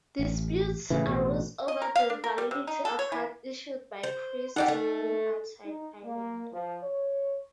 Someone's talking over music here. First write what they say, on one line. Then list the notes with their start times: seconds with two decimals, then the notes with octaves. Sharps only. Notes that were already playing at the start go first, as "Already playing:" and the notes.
Disputes arose over the validity of cards issued by priests living outside Ireland.
0.19 A1
0.90 A2 C#3 E3
1.07 A1 B2
1.68 D#5
1.82 A#4
1.96 F5
2.10 D4
2.24 A#4
2.38 G3
2.51 C3
2.67 D#4
2.85 A4
2.99 C#5
3.12 E3
4.03 C5
4.56 D#4 G4 D5 F#5
4.68 A3
5.64 D#4
6.04 A#3
6.53 F3
6.83 C#5